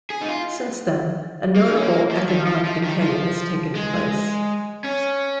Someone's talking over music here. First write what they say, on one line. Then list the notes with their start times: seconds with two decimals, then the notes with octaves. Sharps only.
Since then, a notable economic decay has taken place.
0.10 G#4
0.21 D#4
0.28 F4
1.56 A#3
1.68 D#4
1.75 C#4
1.83 A#3
2.11 F3
2.29 D#3
2.47 F3
2.65 F3
2.84 D#3
3.02 F3
3.75 G#3
4.84 C#4